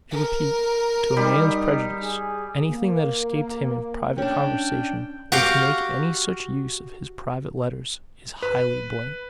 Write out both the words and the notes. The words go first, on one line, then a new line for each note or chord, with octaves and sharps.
To repeat, to a man's prejudice, anything that escaped him in private conversation, or to make any such use of his private letters, is highly blamed.
A#4
G3 D#4
G#4
A#3
C#4 D4 G5
F#4 G4 F5 G5
B4